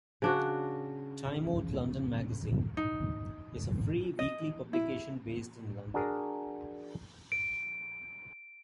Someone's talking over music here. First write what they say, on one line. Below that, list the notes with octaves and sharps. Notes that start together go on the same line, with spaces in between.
"Time Out London Magazine" is a free weekly publication based in London.
C#3 D4 F#4
D#4
D#5
E4
D4 F#4 G#4 A#4
D7